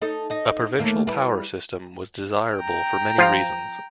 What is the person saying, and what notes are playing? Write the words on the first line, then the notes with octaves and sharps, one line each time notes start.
A provincial power system was desirable for many reasons.
D#4 A4
D#4 D#5
D#2 A3 A#3
G3 E4 B4
G5 A#5
F3 F4 F5